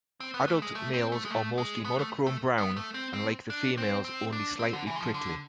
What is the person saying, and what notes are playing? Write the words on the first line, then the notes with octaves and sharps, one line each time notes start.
Adult males are mostly monochrome brown and like the females only slightly prickly.
C4
B3
A3
G#3
A3
C4
A3
G#3
A3
G#3
B3
A3
A3
B3
A3
C4
C4
D4
C4
C4
D4
C4
D3
E3
G#3
F3
D3